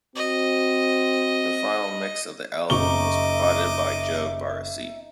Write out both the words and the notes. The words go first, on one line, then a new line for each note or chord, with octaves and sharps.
The final mix of the album was provided by Joe Barresi.
C4 F#4 D#5
F#1 D#4 D#5 E5 C#6 D6 G7